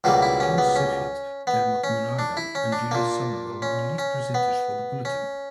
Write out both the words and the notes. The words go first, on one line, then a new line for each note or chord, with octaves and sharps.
John Suchet, Dermot Murnaghan, and Julia Somerville were relief presenters for the bulletin.
C#2 B2 G3 A#3 F#4
E4
C#4
B3
C#4
B3
C#4
D4
E4
C#4
D4
A#2 A#3
C#4
C#4
B3
C#4